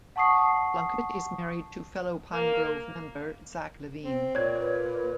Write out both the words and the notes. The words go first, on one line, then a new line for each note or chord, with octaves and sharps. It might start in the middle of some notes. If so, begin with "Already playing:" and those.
Plunkett is married to fellow Pinegrove member Zack Levine.
F#5 A5 C#6 D#6 C7
A#3
C4
A#2 C#5 D5 G#6
B4